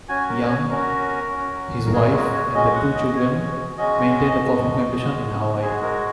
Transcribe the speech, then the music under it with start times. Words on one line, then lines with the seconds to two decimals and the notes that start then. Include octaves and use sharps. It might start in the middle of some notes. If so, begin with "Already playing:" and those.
Young, his wife and their two children maintained a coffee plantation in Hawaii.
0.09 C#4 F#4 G#5
0.29 A#4
0.49 C#5
0.70 C#4 F#4 A#4
1.31 C#4 F#4
1.87 A#4
1.93 G#3 C#4 F#4 G#4
2.13 A#4
2.34 C#5
2.54 G#3 C#4 F#4 D#5
2.75 F#5
2.95 D#5
3.16 G#3 C#4 F#4 C#5
3.77 G#3 C#4 F#4 D#5
4.39 G#3 F#4
5.00 G#3 F#4
5.62 G#3 F#4 G#4
5.82 A#4